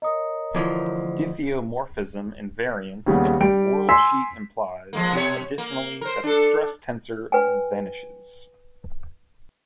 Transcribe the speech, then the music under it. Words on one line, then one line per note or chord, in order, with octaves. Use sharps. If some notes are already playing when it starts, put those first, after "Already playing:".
Diffeomorphism invariance of the worldsheet implies additionally that the stress tensor vanishes.
A#4 C#5 D#5 A#5 D#6
D2 E3 F3
D#2 C#3 G3 B3
G3 G5 D7
G#5 C6 E6 B6
F3 G#3 A#3
B2 F4 C#5
A#3
A#4 C5
D4 A4
B4 G5 G#5